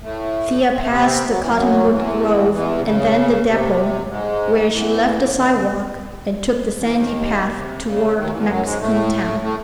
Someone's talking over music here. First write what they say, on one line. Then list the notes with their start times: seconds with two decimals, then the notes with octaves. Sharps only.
Thea passed the cottonwood grove and then the depot, where she left the sidewalk and took the sandy path toward Mexican Town.
0.02 A2 A3
0.72 C4
0.80 A3
0.88 C3 C4
1.28 F#3
1.40 E3
1.52 F#2 F#3
1.89 E2 E3
2.52 E2 E3
2.78 C3
2.84 C#3
3.47 C3
4.09 G#2 G#3
4.72 E2 E3
5.35 D#2 D#3
5.51 C#3
6.80 E3
6.91 D#2 D#3
7.54 C3
7.85 C#3
8.16 D#2 D#3
8.32 E2 E3
8.42 E3
8.47 F#2 F#3
8.63 G#2 G#3
8.80 A2 A3
9.41 A2 A3